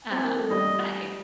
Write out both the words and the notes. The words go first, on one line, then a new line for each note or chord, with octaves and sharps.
um, it's that hair.
C4
A#3
A3
G3 D#5